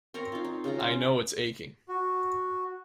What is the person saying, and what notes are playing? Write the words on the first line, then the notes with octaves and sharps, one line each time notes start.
I know it's aching.
C4 A#4 C#5 A#5
D#4 F4
D#4
C#3 G#3 F4 A#5
G#3 F4
F#4